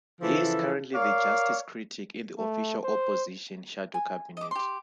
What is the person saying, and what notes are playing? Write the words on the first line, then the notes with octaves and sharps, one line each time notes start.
He is currently the Justice Critic in the Official Opposition shadow cabinet.
C#3 E3 F3 E4 A4
A#4 C#5 D5 F5
A3
C5
G#5
D#5 D6
G4 C6